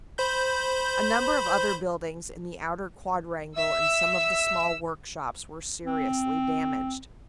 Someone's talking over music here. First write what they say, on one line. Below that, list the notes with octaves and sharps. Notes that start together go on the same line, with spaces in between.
A number of other buildings in the outer quadrangle and some of the small workshops were seriously damaged.
C5 B5 G6
E5 E6
C4